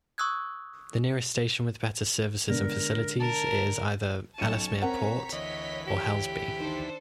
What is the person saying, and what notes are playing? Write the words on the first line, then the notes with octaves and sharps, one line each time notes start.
The nearest station with better services and facilities is either Ellesmere Port or Helsby.
C#6 D#6 E6 F#6 G#6
D3 G#3 B3 A#4
A#4 A5
B1 C#4 A5 C#7 D#7
C4 A#4 C#5 F#5 A#5 B6
D2 E3 D#5 B5
G4
D#3 D4 A4 C5